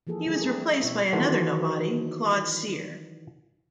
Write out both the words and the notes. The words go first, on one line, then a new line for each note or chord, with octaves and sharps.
He was replaced by another nobody, Claude Cyr.
E3 F3 A#3 G#4 A4
D3 G3 A3 G#4
A3 C4 D4 G4 G#4 A#4
B2 C4 E4 C#5 E5
D#3 E3 F#3 F#4 A4 C5